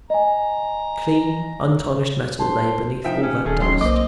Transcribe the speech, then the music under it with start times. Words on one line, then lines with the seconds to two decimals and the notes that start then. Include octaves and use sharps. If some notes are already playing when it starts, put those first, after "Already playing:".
Clean, untarnished metal lay beneath all that dust.
0.10 D#5 G#5 A#5
2.40 C5 A5
3.05 F3 D#4 E5 G5
3.23 C#4
3.45 D#1 D#3 A3 C#4 G#4
3.62 G#1 F#3 C#4 C6
3.81 B1 A#3 C4 D#5 D6